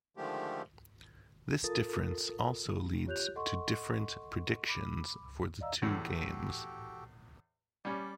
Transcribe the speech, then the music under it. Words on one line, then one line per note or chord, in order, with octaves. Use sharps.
This difference also leads to different predictions for the two games.
D3 D#3 F3 G#3 A3 G4
F4 A4 A#4 D#6 A6
F4 G4 C#5 F#6 G6 F7
A4 D#5 F#5 C6 C#6
B5 D6
D5 D#5 F5 A#5 E6
E2 A2 F#4 G4 A4
G3 C#4 D5